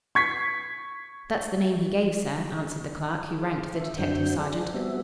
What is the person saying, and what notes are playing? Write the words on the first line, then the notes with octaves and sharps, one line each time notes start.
"That's the name he gave, sir," answered the clerk, who ranked as a detective-sergeant.
C#6 G#6 B6 C7
G#4
E5
F#2 D3 C4 D4 F#4 G6
G#4 D5
G3 B3 C4 F#4 E5